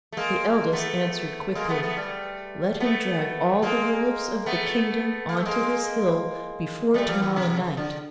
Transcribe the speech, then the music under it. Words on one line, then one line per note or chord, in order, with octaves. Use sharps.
The eldest answered quickly, 'Let him drive all the wolves of the kingdom on to this hill before to-morrow night.
A3
G#3 A#3
A3 B3
G#3 A#3
A3 B3
A3 B3
G3 A3
A3 B3
G#3 A#3
A3 B3
A#3
A3
G#3 A#3
G3 A3
F3 G3
E3 F#3
C3
C#3
D3